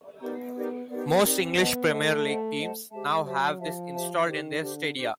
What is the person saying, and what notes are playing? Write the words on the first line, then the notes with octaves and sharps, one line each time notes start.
Most English Premier League teams now have this installed in their stadia.
B3 D#4 G4 A#4 D5
D#4 G4 A#4 D5
B3 D#4 G4 A#4 D5
C4 D#4 G4 A#4 D5
B3 C5 D#5 F#5 A5
A3 C5 D#5 F#5 A5
C5 D#5 F#5 A5
C5 D#5 F#5 A5
G#3 G4 C5 E5 A5
F#3 G4 C5 E5 A5
F3 G4 C5 E5 A5
G4 C5 E5 A5
D#3 D4 G4 C5
D3 D4 G4 C5
D4 G4 C5